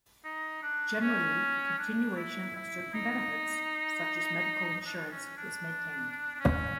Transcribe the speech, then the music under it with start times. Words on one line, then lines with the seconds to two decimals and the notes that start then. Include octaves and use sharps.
Generally, continuation of certain benefits, such as medical insurance, is maintained.
0.24 D#4
0.63 D4
1.01 C#4
1.78 D4
2.17 E4
2.55 E4
2.94 D#4
4.80 D#4
4.86 D4
5.11 C#4
5.37 D4
6.35 D4
6.40 C#4